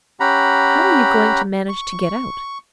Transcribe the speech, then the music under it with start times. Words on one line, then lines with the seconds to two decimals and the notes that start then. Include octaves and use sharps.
"How are you going to manage to get out?"
0.20 C#4 G4 F#5 A#5 B5
1.69 C#6